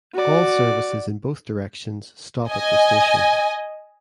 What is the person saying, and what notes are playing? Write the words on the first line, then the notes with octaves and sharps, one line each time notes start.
All services in both directions stop at the station.
F#4 D5
D#5 G#5